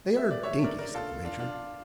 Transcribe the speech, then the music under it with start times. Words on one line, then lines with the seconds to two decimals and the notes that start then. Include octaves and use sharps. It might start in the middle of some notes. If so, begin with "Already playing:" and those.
"They are dainty," said the Major.
0.16 E5
0.31 D5
0.43 C#5 E5
0.64 A#4 D5
0.79 A#4 D5
0.94 F4 A4
1.25 D4 F4
1.39 D4 F4